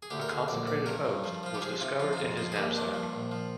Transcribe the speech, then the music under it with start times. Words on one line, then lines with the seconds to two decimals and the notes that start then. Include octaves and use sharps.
A consecrated Host was discovered in his knapsack.
0.02 G#4
0.10 D2 G4
0.21 A#4
0.29 D2 G#4
0.48 A#1 D5
0.67 A#1 D5
0.86 G2 A#4
1.06 G2
1.24 F3
1.43 F3 F4
1.54 G4
1.62 F3 G#4
1.80 C3 F4
1.99 F3 F4
2.13 D#4
2.18 F2 F4
2.37 F3 F4
2.52 G#4
2.56 D#2 G4
2.75 G2 D4
2.94 F3
3.13 A#1
3.32 F3